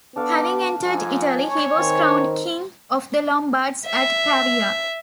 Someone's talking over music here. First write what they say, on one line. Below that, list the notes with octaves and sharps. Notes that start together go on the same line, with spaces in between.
Having entered Italy, he was crowned King of the Lombards at Pavia.
B3 D4 A4 F5 D6
G#2 F3 G#5
C#5 C#6
D#3 C4
E5